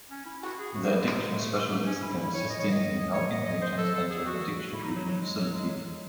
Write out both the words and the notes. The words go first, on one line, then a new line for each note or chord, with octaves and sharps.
The addiction specialist can assisting in helping patients enter an addiction treatment facility.
C#4
E4
F#4
G#4
F#4
E4
G#3
F#3
G#3
A3
C#4
E4
E4
C#5
D#5
C#5
D#5
C#5
D#5
D#5
C5
A4
A4
G#4
F#4
E4
D#4
F#3
F#3
G#3
F#3
G#3
F#3